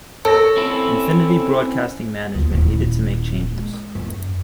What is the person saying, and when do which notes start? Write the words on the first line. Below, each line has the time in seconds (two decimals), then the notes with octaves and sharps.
Infinity Broadcasting management needed to make changes.
0.25 A4 C#5 E6 A#6
0.57 C4 C#4 E4
2.35 D2
2.52 D#1 E4
3.51 G#3
3.95 F#2